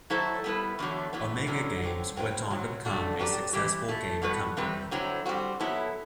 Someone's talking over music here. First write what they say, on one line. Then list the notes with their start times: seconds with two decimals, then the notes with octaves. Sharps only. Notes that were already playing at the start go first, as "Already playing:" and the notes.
Omega Games went on to become a successful game company.
0.10 F#3 A3 E4 A4 C5
0.44 G3 B3 E4 B4
0.79 E2 D3 F#3 A3
1.13 A2 E3 B3
1.47 F#2 D3 F#3
1.82 D3 F#3 C4
2.17 F#3 C4 E4 B4
2.50 C3 F#3 C4 F#4
2.85 G2 D3 A3 D4 F#4
3.19 F#3 C4 G4 B4 D5
3.53 E3 G3 C4 E4 G4
3.88 B2 A3 E4
4.22 A2 G3 B3 F#4 B4
4.57 C3 G3 C4 G4 B4
4.91 D3 F#3 C4 E4
5.26 G3 C4 F#4
5.60 F#3 B3 E4 A4